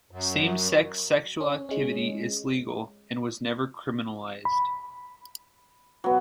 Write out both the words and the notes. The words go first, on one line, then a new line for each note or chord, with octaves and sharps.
Same-sex sexual activity is legal and was never criminalized.
F#2
C#4
G#3 C#4
B5
F#3 B3